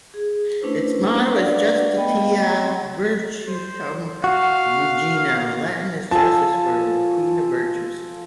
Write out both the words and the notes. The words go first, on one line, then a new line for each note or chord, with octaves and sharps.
Its motto is "Justitia Virtutum Regina", Latin for "Justice is Queen of Virtues".
G#4
A3 C#4 D4 E4 B4 C5
D4 B4 D5 F5 F#5
A3 B3 D#5 G5 B5
C4 D#5
C5
F#4 F5
F3 A4 G#5 A5